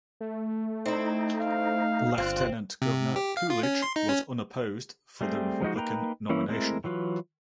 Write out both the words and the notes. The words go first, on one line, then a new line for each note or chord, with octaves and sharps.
Lieutenant Governor Coolidge was unopposed for the Republican nomination.
A3
C4 D#4 E4
F5
G1 C4 F4 F#6
C3
G4
F5
F4
C#4
C6
D#4
C#4
G3 A3 C4 G#4
F3 G#3 D#4 F#4
A#3 D#4 B4 G5 A#5
E3 A#3 C#4 E4
G#3 A3 C4 E4 A#4
E3 F#3 F4 B4